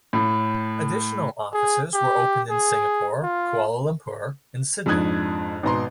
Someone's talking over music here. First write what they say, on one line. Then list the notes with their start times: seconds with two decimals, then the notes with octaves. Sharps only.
Additional offices were opened in Singapore, Kuala Lumpur and in Sydney.
0.13 A2
1.54 G#4
1.94 G4
2.50 G#4
3.23 F4
4.86 F2 G#2 D4 D#6 F#6 G#6
5.63 G#1 B2 A#5 C6